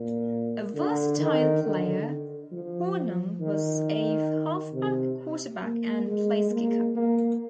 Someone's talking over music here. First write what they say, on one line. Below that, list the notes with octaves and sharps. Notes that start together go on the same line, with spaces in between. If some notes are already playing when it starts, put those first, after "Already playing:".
A versatile player, Hornung was a halfback, quarterback, and placekicker.
Already playing: A#2
D3
D#3
D3
F3
D#3
C3
A#3
G#3
A#3
A#3